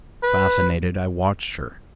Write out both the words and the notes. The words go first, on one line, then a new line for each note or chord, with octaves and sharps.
Fascinated, I watched her.
B4